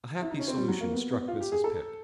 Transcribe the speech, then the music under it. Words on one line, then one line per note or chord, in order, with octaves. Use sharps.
A happy solution struck Mrs. Pett.
E4
D#4
C#4
C4
G3
F#3
A#3
B3
B3
F4
G4
G#4
A4